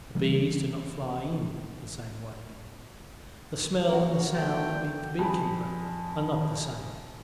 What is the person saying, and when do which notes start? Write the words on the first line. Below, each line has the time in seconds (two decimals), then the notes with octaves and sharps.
The bees do not fly in the same way, the smell and the sound that meet the beekeeper are not the same.
0.15 C#3 E3 G3 A#3
3.89 A#2 C#3 F#4 A#4
4.35 B2 A3 G5
5.19 F2 G#4 B5